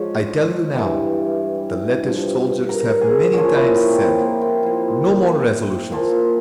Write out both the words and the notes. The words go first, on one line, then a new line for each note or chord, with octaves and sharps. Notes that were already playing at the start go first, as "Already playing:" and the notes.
I tell you now, the Lettish soldiers have many times said, 'No more resolutions!
Already playing: G#2 F3 C#5
G2 E3
G2 F3
A#4
G#4
A#2 F3 C#4
E4
G4
C4
A#3
C4
A#2 F3 E4
A#2 F3